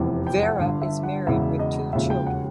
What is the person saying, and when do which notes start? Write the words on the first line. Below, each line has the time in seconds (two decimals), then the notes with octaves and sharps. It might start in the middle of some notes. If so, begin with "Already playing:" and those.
Vara is married with two children.
Already playing: F1 E2 C3 E3
0.27 G5
0.43 F#5
0.59 G1 G2 D3 F5
0.82 E5
1.03 F#5
1.27 E1 E2 C#3 E3 E5
1.59 D#5
1.92 E1 D#2 C#3 F3 E5
2.10 G5
2.26 F#5